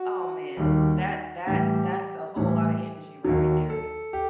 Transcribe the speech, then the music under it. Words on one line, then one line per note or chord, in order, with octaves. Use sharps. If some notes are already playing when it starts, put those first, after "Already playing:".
Oh, man. That that that's a whole lotta energy right there.
Already playing: F#4
D#2 D#3 G3
A2 E3 G3 G4
A2 E3 G3
D#2 D#3 F#3
A4
G4